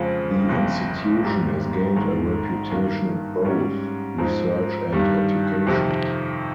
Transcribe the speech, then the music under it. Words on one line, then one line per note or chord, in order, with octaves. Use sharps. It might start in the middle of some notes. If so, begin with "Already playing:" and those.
The institution has gained a reputation in both research and education.
Already playing: F2 C#3 G#3 C4 F4
G1 F2 C#3
G#1 G#2 G3
A#1 G#2 D#3
G2 D#3 A#3
G#2 G3 C#4
G#2 F3 C4 D#4
G2 D#3 G3
F2 C3 D#3